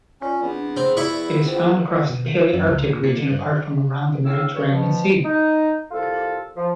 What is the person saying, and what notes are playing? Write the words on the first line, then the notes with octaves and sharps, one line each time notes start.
It is found across the Palearctic region apart from around the Mediterranean Sea.
C#4 F4 D5
E2 B3 C4 D4
C4 G#4
E4 D5 E5 C#6
F4 C5 G5
B2
D#3
E3
F#2
C#2
A#2
A#2
D3
G2
A2 C#3 C4 F5 E6
G2 C#5
B2 F3
D#4
C2 F4 A4
F3